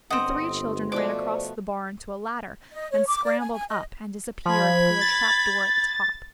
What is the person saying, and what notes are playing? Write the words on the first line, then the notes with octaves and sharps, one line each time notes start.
The three children ran across the barn to a ladder and scrambled up and disappeared through a trap door at the top.
G1 C4 D#5 F#5
B2 F3 A3 C5 D5 D6
D#5
C#5
D6
D5
G#5
G#5
D#5
F3 B5 G#6
A6